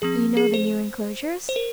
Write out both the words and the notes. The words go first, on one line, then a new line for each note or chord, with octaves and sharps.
You know the new enclosures?
F3 C4 G#4
G#4
C5
C5
A#4